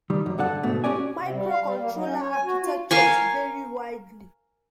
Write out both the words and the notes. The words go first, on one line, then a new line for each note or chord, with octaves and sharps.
Microcontroller architectures vary widely.
D#3 G3
F#2
G2 D3 A4 F#5
G#2 B2 A3
C#4 F#4 G4 D5 G#5
C3
G3
F5
G3
A#3
F#3
C#4
C#5
G#5
F#4
F4
A#4 F5 G#5 C#6